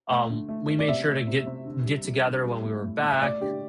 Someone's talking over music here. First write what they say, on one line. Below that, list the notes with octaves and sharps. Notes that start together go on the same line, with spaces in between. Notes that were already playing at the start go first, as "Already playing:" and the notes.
um, we made sure to get get together when we were back,
A3
D3
A3
A3
D5
C3 E5
A3
C3
C3
D3
G3
G3
D3
G3
A2
A2
A2
E5
A3 D5
D3 G4